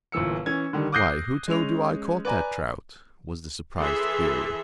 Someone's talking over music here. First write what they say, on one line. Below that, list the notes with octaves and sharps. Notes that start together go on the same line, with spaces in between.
"Why, who told you I caught that trout!" was the surprised query.
G1 A#2 E3 E6 C#7
E3 C#4 G#6
D3 D#3 G3
D6 D#6 F#6 G6 A#6 C7
G#3 C#4 F7
B4 D5 G#5 A#5
E3 G#4 A4 E5 C6